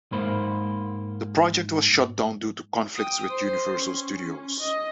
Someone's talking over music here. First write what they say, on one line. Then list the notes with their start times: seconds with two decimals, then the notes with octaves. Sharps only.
The project was shut down due to conflicts with Universal Studios.
0.12 G#2 A#3 C5 B5
2.96 G5 D#6
3.30 C5 C6
3.78 C#4
4.60 D#5